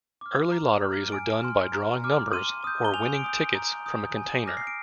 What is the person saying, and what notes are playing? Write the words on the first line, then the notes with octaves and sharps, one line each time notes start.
Early lotteries were done by drawing numbers, or winning tickets, from a container.
D6 F6
A#5
F6
G#5 D7
C6 F6
A#5
D6 F6
C6 D#7
D#6 G6
G7
G#5 F7
D7
D#6 G6
D7
A#5
D#6 G6
G#5
D6 F6 A#6
C7
D7